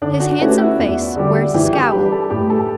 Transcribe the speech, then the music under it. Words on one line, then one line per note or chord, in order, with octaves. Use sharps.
His handsome face wears a "scowl."
D3 D4 D5
F#4 F#5
A3 C#4 F#4 G4 B4 F#5
E4 E5
E2
D3 G3 D4 G4
E3 G4 G5
G4 G5
G3 D4 B4 B5
A4 A5
A2 G4 G5
A4 A5